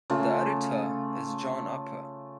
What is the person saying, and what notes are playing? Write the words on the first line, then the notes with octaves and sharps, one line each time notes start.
The editor is John Upper.
C#3 A3 F4